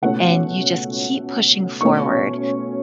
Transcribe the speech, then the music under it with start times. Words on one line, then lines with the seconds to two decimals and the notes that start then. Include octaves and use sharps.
and you just keep pushing forward,
0.02 C#2 B2 A3 C#4 F#5
1.81 B2 A3 C#4 C#6